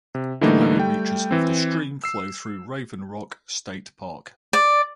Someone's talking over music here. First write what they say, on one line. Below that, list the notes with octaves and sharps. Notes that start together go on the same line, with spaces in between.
The lower reaches of this stream flow through Raven Rock State Park.
C3
D3 E3 G3 A3 A#3 D#4
G3 A3 G5
E3 C4
E6 C7
D5